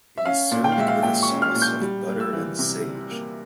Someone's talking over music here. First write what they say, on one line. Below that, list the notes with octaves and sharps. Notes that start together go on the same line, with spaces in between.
It is served with a sauce of butter and sage.
E5
C#4 F5
A#2
G5
F5
G#3 E5
F5
A#2 G5
C#6
C#4
F6
A#2
G6
G3
A#3
E6
E3
C3
G3
A#3